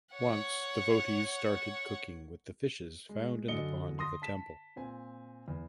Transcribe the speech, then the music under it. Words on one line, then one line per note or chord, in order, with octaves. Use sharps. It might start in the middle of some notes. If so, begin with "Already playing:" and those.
Once devotees started cooking with the fishes found in the pond of the temple.
C#5 F#5
G#3
F#2 D3 D#5 C#7 G7
C6 D#6 A#6
A5 B6 E7
A#2 C4 G#5
E2